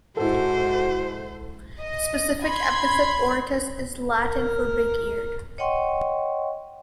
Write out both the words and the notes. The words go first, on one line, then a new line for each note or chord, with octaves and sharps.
The specific epithet, "auritus," is Latin for big-eared.
G#2 E4 F#4 A4 C5
D#5
B5 C6 G#6
A#4
C#5 D#5 F#5 G5 C6 C#6